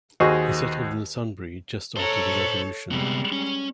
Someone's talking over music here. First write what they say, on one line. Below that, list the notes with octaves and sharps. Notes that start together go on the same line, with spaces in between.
He settled in the Sunbury just after the Revolution.
D#2 F#4 G#4 C5 D#5 C#6
A4 C5 C#5 A#5
C3 G3 G#3 B3
C#4